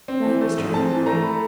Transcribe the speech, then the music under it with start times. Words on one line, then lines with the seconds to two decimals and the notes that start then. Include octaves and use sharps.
Night was drawing near.
0.08 C4
0.25 E3
0.41 A3
0.57 G#2
0.74 C4 A5
0.91 E3
1.06 A3 A#5
1.23 B5